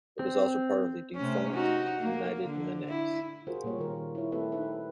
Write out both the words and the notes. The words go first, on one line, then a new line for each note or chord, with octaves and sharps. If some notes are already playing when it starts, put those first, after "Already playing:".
It is also part of the defunct United Linux.
C4
C3 A3 C#4
D#4 F#4
A#3
D3
E4
F4 F#4 G#4 A#4 C5
A#2 G3 A#3 G4 C#5
D#3 G#4 A#4
E4 C#5
A3 C4 G4 A4 B4 E5
D#4 G4 B4